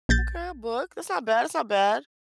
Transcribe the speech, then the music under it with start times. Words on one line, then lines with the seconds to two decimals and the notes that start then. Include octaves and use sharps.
Okay, a book, that's not bad, that's not bad.
0.09 A#1 G6 A6